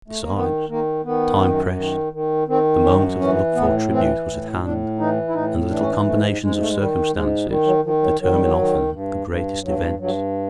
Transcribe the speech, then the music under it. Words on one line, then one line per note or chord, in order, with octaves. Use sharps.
Besides, time pressed; the moment of the looked-for tribute was at hand, and little combinations of circumstances determine often the greatest events.
A3
A#3
D#3 B3
D#3 A#3
D#3 B3
F#2
D#3
D#3
D#3 C4
F#2 C#4
E3 C#4
A2 B3
E3 C4
A2
A2 D4
E3 D#4
E4
A2 D#4
E3 D4
C#4
D4
G#2 A3
G#2 G#3
A3
G#3
D#3 G3
G#2 G#3
D#3 G3
F#3
D#3 F3
F#3
D#3 F#3
G3
F#3
D#3
G2
G2
G2 F#3
G2 F#3